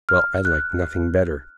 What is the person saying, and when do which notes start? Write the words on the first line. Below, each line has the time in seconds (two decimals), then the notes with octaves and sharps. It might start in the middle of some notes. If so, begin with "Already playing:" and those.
Well, I'd like nothing better.
0.09 F6
0.45 F#6